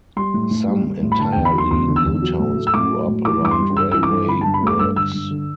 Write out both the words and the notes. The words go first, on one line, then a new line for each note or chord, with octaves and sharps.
Some entirely new towns grew up around railway works.
G3 C6
A2
A2
G3
G3
A2
B5
D3 A5
E2 G5
B5
F#3 C6
E2 C6
D3
E6
E2
F#3
A2
A3
E6
A2 D6
F#3
A2
E3 D6
G2 D6
C6
G3
G2 E6
E3 E6
D6
G2
D3 B5
G2 A5
B5
A3 D6
G2 E6
D3 E6
G2
D3